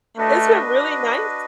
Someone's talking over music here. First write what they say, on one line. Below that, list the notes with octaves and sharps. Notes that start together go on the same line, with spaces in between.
It's been really nice
A3 D4 F#4 B4 D#5